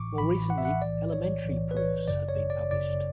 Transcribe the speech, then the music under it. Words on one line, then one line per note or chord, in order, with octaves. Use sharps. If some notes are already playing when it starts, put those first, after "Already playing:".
More recently, elementary proofs have been published.
Already playing: A1 A2 E3 C#6 D6
A1 A2 E3 B5
F#5
E5
F#5
B1 A2 E3 D5
C#5
B1 A2 E3
B4
C#5
G1 F#2 C#3 D5
C#5
D5
G1 F#2 C#3 D5